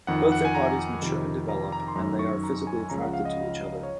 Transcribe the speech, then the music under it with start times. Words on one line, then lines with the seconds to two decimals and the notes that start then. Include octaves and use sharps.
Both their bodies mature and develop, and they are physically attracted to each other.
0.07 F2 D#3 F#5
0.32 F#5
0.45 G#5
0.55 A#5
1.02 F2 C3 D#3
1.49 A#5
1.72 A#5
1.88 C6
1.95 F#2 D#3 A#5
2.19 C#6
2.44 A#5
2.67 G#5
2.90 C#2 C#3 F3 A#5
3.02 F#5
3.13 F5
3.25 D#5
3.83 C#5